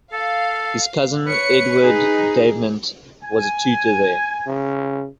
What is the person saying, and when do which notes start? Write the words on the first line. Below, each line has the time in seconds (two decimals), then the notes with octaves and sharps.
His cousin, Edward Davenant, was a tutor there.
0.12 A4 F5
1.26 B4 C#5 C#7
1.81 D#4 G#4
3.22 G#5
4.47 C#3